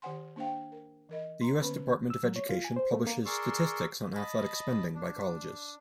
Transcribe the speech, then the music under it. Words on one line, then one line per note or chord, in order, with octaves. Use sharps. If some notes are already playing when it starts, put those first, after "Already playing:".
The U. S. Department of Education publishes statistics on athletic spending by colleges.
D#3 G4 C5 F#5 G#5 C6
A#3 D4 C5 F5 G5
A#4
E3 A#4 D#5
A#5 C6
D3 A#3 B3 C#4 B4 B5
E6
F#3
C#5
F4
G#5
C5
A3
A#3
G#4 A#4 D5 C6 C#6 E6
D#5 A5 B5
D4